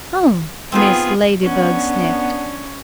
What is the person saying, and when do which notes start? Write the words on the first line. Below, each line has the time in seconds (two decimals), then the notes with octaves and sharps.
"Huh!" Mrs. Ladybug sniffed.
0.72 B3 C4 D#4 F4 G#4 C5
1.43 B3 C#4 D4